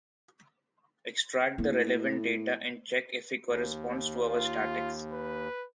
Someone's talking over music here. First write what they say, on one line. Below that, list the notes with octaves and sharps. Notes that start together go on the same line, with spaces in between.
Extract the relevant data and check if he correspond to our statics.
A2 A#3 B3
D#2
F4
B4